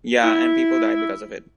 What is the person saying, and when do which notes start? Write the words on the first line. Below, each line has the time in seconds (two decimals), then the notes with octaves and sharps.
Ya and people died because of it.
0.23 E4